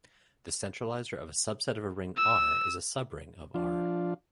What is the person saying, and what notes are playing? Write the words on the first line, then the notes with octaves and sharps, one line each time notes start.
The centralizer of a subset of a ring "R" is a subring of "R".
E6
F3 D4 F4